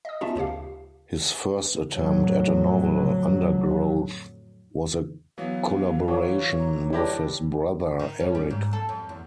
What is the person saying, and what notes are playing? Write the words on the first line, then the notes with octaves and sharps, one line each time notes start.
His first attempt at a novel, "Undergrowth", was a collaboration with his brother, Eric.
D#5 D#6
B3 C#4 D#4 F4 E5 A5
D2 C#3 G4 F5
F2 A2 D3 F#3
E3 F#3 B3 F5
E3 F#3 C#5 D6
A#5
G3 D4 E4 G4 B4 A#6
D#3
C#4
G3
G#2
A4
F2
E2